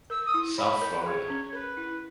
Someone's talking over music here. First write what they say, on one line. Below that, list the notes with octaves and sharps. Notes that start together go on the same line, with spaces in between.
South Florida.
A#4 E6
D#6
E4
C#5 B5
A#4
B4
G#4 C#5
C#4
A#4 B4
E4